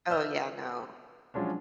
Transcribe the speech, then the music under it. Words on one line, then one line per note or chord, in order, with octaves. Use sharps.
Oh, yeah, no.
B4 D5 E5 E6 F6 G6
F3 F#3 G#3 C#4 D4